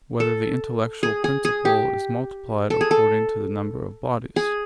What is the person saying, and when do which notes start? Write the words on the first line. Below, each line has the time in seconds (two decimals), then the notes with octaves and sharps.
Whether the Intellectual Principle Is Multiplied According to the Number of Bodies?
0.20 A4
1.03 G#4
1.24 G#4
1.45 G#4
1.65 G4
2.70 A4
2.81 G#4
2.91 A4
4.36 G#4